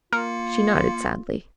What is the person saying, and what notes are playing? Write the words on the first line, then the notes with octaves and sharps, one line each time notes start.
She nodded sadly.
A#3 F4 A#4 C#7